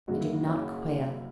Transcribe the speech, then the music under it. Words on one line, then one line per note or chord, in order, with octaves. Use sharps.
I did not quail.
F#1 F#2 C#3 F#4
E4
E4
C#4